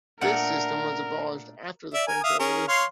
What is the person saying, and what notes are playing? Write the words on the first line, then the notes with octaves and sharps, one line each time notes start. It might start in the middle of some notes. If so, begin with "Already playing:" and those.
This system was abolished after the French Revolution.
A#2 A3 D4 A#4 F#5
D5 E5
A#4 G#5
E5 F5 D#6
C#4 G#4 A#4
C#5 F5 C6